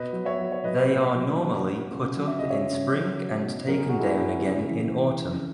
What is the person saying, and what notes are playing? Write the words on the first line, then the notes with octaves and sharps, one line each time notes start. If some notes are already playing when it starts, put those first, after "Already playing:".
They are normally put up in spring and taken down again in autumn.
Already playing: B2 B4 D#5
F#3
C#5 E5
F#3
C#5
F#3 B4 D#5
A#2
F#3
F#3
F#3
C#3
F#3
E5
C#3 D#5
C#5 E5
C#3
F#3
F#3
B2
F#3 A#4
G#4
B2 F#4
E4 G#4
F#3
C#3
E3
E3
C#3